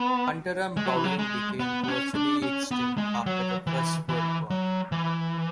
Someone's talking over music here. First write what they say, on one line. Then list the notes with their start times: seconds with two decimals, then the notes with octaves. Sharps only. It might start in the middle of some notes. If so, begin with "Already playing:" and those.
Underarm bowling became virtually extinct after the First World War.
Already playing: B3
0.77 G#3
0.86 F#3
0.96 E3
1.04 F#3
1.19 G#3
1.60 B3
1.84 B3
1.88 C#4
2.15 D4
2.42 C#4
2.71 B3
2.98 G#3
3.26 F#3
3.67 E3
4.09 E3
4.50 F#3
4.92 E3